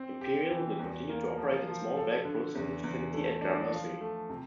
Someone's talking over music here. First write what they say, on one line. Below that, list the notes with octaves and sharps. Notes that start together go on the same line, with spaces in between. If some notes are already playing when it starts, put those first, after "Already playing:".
Imperial will continue to operate a small-bag processing facility at Gramercy.
Already playing: C4
G4
E3
E2
A#3
F3
F3
A4
D3
E2
E2
A3
D4
F3
A3
C3